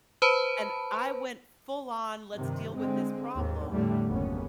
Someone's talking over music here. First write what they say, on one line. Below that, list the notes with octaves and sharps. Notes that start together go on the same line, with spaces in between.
and I went full-on, "Let's deal with this problem,
B4 C5 A5 B5
G2 C3 D#3
D3 G#3 C4
D#2 G#2 D#3
E2 A2 D3 G3 A3
F#1 D#2 B3 C#4